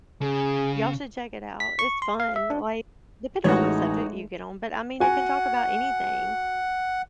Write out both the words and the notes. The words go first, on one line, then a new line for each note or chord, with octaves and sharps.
Ya'll should check it out, it's fun, like, depending on what subject you get on, but, I mean, it can talk about anything.
C#3 G#4
B6
C#6
C6
F5
E5
D4
A1 G#3 A3 D#4 F#4 C#5
F#4 F#5 G#5